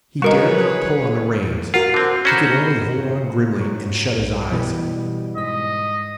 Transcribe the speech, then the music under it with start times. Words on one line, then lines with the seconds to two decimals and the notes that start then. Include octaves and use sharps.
He dared not pull on the reins; he could only hold on grimly and shut his eyes.
0.22 G3 F#4 G#4 A#4 B4 C#5 D#5 C#6
1.74 F4 F#4 A#4 F#5
1.94 D3 C4
2.25 C#4 F#4 C5 A#5 B5 G6
3.57 G#2 F#3
4.16 B1
4.52 B2 E3 G3
5.37 G#2 D#5 B6